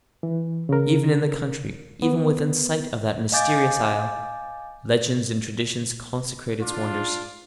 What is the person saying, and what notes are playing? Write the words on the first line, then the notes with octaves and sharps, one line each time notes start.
Even in the country, even within sight of that mysterious isle, legends and traditions consecrate its wonders.
E3
C#3 A#4
B3
D#5 F5 G#5 D6 G6 A6
D4 F4